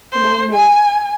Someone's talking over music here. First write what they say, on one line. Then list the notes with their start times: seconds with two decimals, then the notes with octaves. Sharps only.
The main move.
0.12 C5
0.54 G#5